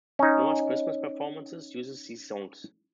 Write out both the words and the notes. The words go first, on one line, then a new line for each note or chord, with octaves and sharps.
Noah's Christmas performances uses these songs.
C#4 D#4